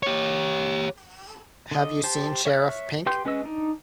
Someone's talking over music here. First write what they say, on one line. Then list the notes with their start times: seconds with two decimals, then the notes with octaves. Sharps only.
Have you seen Sheriff Pink?
0.03 G4 C#5
1.71 D3 D#5
2.04 G4 C5 A5
2.45 C#5 E5 F6 F#6
3.06 G4 B4 G5 C6 G6
3.25 G#3 C#4 B4 D#5 E6
3.44 D4 D#4